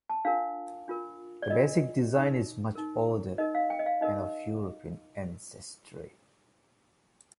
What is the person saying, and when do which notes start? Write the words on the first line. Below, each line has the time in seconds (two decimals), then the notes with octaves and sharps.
The basic design is much older and of European ancestry.
0.09 A5
0.25 D4 F4 A#4 F5
0.88 D4 F4 A#4
1.42 D5
1.50 D4 F4 A#4 D#5
2.13 D#4 A#4
2.75 D#4 A#4
3.38 D#4 A#4 D#5
3.55 F5
3.70 G5
3.79 D#5
3.86 F5
4.01 D#4 A#4 D#5